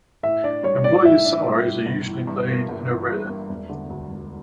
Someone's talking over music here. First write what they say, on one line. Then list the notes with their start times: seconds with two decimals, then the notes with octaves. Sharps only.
Employees' salaries are usually paid in arrear.
0.23 A2 E5
0.43 D4 D5
0.63 G3 C#5
0.84 A2 D5
1.05 A2 E5
1.25 D4
1.46 G3
1.66 A2
1.86 G1
2.06 E3
2.27 G2
2.48 A#3
2.68 G1
2.88 E3
3.08 G2
3.29 A#3
3.49 E1
3.69 D3
3.90 D2
4.11 E1